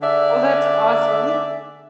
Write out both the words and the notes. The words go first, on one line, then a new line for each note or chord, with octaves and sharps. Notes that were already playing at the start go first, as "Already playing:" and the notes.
Oh, that's awesome.
D3 G#4 D5 E5